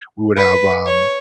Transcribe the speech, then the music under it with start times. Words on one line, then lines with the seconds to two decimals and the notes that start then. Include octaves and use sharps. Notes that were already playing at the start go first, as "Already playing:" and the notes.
we would have, um,
0.37 B4
0.86 C#5